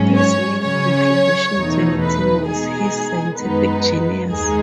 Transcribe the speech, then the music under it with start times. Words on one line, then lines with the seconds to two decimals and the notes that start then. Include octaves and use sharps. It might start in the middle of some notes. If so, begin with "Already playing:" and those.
His main contribution to the team was his scientific genius.
Already playing: G#2 F#3 C#4
0.17 C#5
0.63 C#3 F#3 C#4 C#5
1.55 E2 B2 A3 D#4
2.01 B4
2.46 B2 G#3 D#4 G#4
3.37 F#2 D#3 G#3 B3 D#4 B4
4.29 D#2 D#3 G#3 D#4 G#4